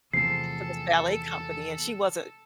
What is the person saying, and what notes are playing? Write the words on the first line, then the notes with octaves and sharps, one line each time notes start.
for this ballet company, and she wasn't,
E2 C3 F3 A3 A4 C7